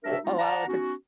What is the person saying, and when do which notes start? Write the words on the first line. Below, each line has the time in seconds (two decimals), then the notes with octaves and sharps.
O oh, well, if it's
0.04 D4 F#4 G4 A#4 E5
0.24 G#3 B3 D4 D#4 F4
0.38 D5 F#5 A5 A#5
0.67 B3 C#4 D#4 F#4